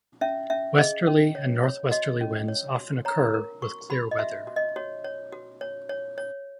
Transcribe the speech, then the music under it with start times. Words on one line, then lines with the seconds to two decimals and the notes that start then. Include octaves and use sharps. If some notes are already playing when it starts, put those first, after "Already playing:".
Westerly and northwesterly winds often occur with clear weather.
0.21 C#4 E5
0.50 C#4 E5
0.78 G#4 D#5
1.07 C#4
1.35 C#5
1.63 C#5
1.91 F#4 D#5
2.21 C#4
2.48 C#5
2.77 F#4
3.05 C#5 A#5
3.34 A#4
3.62 F#4 C#6
3.90 F#4 B5
4.11 D#5
4.19 F#4 E5
4.47 F#4
4.56 D#5
4.76 F#4 C#5
5.05 C#5
5.32 F#4
5.61 C#5
5.89 C#5
6.18 C#5